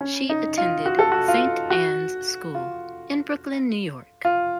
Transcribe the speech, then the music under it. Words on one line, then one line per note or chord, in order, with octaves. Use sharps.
She attended Saint Ann's School, in Brooklyn, New York.
C#4
D#4
F4
F#4
A4
F#4
F4
F#4
F4
F4